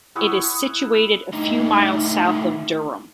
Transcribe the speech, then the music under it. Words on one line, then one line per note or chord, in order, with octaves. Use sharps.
It is situated a few miles south of Durham.
E4 F#5 C#6 D#6
A2 D#4